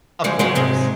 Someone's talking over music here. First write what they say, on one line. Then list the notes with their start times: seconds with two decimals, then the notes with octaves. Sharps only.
Of course.
0.24 D3 F3 G3 G#3
0.39 C#3 F3 F#3 G#3
0.55 G#2 C3 G#3